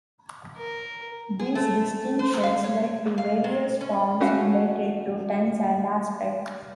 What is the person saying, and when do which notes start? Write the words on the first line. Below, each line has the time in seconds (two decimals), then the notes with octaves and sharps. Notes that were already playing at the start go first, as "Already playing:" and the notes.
These distinctions lead to various forms related to tense and aspect.
0.57 A#4
1.39 G#4
1.55 A3
2.19 C5
2.43 F5
2.64 C#5
3.18 F5
3.44 A#2
3.81 C#4
4.21 A3 C#4 F#4 F5